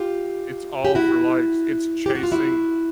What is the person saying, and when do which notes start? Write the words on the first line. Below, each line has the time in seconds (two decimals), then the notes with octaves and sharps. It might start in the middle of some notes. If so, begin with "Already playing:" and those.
It's all for, likes, it's chasing
Already playing: F4 G4
0.85 G4
0.95 E4 F#4
2.06 G4
2.15 F#4
2.23 F4
2.31 E4 F#4